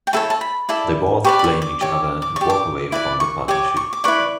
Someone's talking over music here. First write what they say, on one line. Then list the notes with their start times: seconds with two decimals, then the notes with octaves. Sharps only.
They both blame each other and walk away from their partnership.
0.07 G5
0.13 E4 A4 C#5 A5
0.30 A5
0.41 B5
0.69 E4 A4 D5
1.24 G4 B4 D5 C#6
1.39 B5
1.44 C#6
1.62 D6
1.81 G4 C#5 D6
2.22 D6
2.36 G4 D5 C#6
2.50 D6
2.92 E4 B4 D5 D6
3.20 C#6
3.48 G4 C#5 D6
3.77 C#6
3.93 D6
4.04 E4 B4 D5 C#6